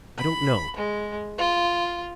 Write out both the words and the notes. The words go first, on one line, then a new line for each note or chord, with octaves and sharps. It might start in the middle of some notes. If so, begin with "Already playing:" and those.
I don't know.
B5
G#3
F4